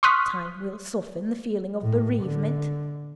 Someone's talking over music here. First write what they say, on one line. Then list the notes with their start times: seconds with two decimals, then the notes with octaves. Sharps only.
Time will soften the feeling of bereavement.
0.03 C6 C#6 D#6 F6 F#6 B6
1.82 A2
2.23 D3